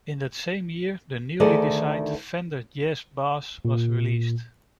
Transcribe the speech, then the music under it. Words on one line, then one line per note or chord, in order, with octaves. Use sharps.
In that same year the newly designed Fender Jazz Bass was released.
D2 D#3 G#4 A4 D5
A#2